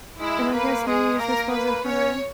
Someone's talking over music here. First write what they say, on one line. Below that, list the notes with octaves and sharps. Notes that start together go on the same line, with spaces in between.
and I guess maybe it just wasn't for her.
G#3 E4
A#3 B4
G#3 G#4
A#3 A#4
B4
C#4 C#5